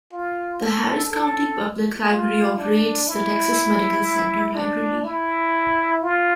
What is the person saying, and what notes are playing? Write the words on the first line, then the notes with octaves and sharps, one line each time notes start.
The Harris County Public Library operates the Texas Medical Center Library.
F4
A4
A4
F4
D4
E4
D4
E4
F4